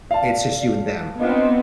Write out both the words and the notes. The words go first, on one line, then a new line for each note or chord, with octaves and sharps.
it's just you and them,
D5 F5 A5
B3 C4 D4 D#4 F4 D#5